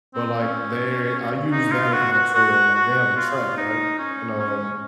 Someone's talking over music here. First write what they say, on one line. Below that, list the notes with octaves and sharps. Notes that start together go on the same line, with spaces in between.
but, like, they I use that as my trail, like, they have a track, right, and, um,
C4
C#4
D#4
F4
F#4
F#4
F#4
F#4
F4
D#4
C#4
C#4